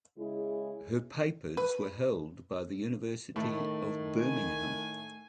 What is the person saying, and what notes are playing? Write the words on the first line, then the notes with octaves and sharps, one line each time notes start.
Her papers are held by the University of Birmingham.
C#3 G#3 E4 G#4
B4
A2 D#3 A3
G#5